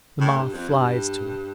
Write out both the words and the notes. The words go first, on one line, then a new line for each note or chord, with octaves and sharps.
The moth flies to it.
A2
G2
F2
G2